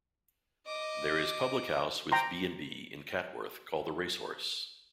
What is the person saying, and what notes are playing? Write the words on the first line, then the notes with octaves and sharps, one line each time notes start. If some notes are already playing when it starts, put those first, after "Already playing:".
There is public house with B and B in Catworth called The Racehorse.
D#5 D6
G5 A#5 C6